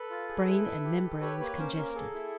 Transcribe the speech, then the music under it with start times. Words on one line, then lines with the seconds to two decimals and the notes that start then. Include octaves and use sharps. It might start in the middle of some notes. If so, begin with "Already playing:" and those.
Brain and membranes congested.
Already playing: A4 B4
0.10 F4
0.28 G#4
0.47 E4
0.66 E4
0.84 G4
1.03 G4
1.21 G4 B4 C#5
1.40 A#3 B4 C#5
1.58 C#4 A#4 C5
1.76 A#3 A#4
1.95 G#4 A4
2.14 E4